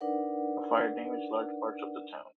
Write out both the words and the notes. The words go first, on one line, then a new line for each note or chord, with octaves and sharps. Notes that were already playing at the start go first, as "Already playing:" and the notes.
A fire damaged large parts of the town.
D4 D#4 A#4 B4 D5 F#5